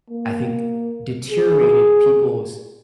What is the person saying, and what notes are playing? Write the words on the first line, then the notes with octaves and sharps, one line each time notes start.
I think, deteriorated people's
A#3
G#4